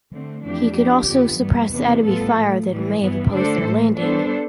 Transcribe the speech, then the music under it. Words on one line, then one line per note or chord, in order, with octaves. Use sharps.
He could also suppress enemy fire that may have opposed their landing.
D3 A3 C4
F2 E3 A3 D4 G4
F3 B3 D4 G4
F2 D3 F3 B3
G2 E3 G3 B3
E2 C3 E3 B3 D4
A2 G3 B3 F4 A4
A2 F3 A3
A2 E3 G3
G2 E3 B3
D3 A3 D4 A4 C5
A2 E3 A3
G3 B3 D4 A4 C5